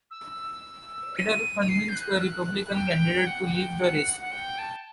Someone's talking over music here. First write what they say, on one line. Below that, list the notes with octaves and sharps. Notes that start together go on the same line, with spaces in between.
Eder convinced the Republican candidate to leave the race.
E6
D#7
D#7
C7
G6
F#6
E6
F#6
G5
F#5
F#5
G5
F#5
F#5
G5
A5